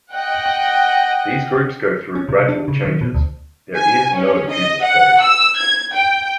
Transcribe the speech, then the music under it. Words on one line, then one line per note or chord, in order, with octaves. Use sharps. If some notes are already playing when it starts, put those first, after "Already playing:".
These groups go through gradual changes; there is no pupal stage.
D#5 F#5 G5
C#4
C3
D4
C#3
D#3
B2
D2
G#5
C#4
D#5
F#5
E6
G#6
G5